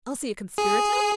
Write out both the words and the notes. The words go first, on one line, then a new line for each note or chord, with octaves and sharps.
Elsie a conspirator?
G#4